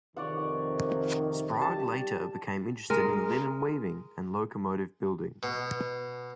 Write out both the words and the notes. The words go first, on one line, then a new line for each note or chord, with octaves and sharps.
Sprague later became interested in linen weaving and locomotive building.
F2 C3 D#3 C#5 D5 F#5
G3 A5
G#3 A#4
B2